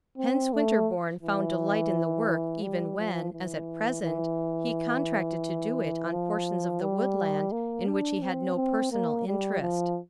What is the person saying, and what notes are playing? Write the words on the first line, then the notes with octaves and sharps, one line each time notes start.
Hence Winterborne found delight in the work even when, as at present, he contracted to do it on portions of the woodland in which he had no personal interest.
C4
A3
E3
G3
F3
E3
E3
F3
G3
A#3
D4
C4
C4
A#3
G3
F3